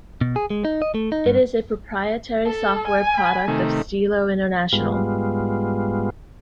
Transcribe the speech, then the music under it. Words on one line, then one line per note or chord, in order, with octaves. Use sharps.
It is a proprietary software product of Stilo International.
B2
G#4
G#3
D#4
D#5
A3
D#4
G2
A4
G#5
B5
C3 D#3 A3
G#2 G3 G#3 B3 F4